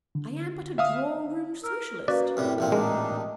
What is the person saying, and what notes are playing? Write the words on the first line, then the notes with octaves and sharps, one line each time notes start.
I am but a drawing-room Socialist.
D3
E5 F5 D#6
A#4 E6 F6
A#3 C#4 F#4 B4 D5
F#2 A2 C3 G3
A1 A#2 C4 E5
G#3 D4 D#4 A#4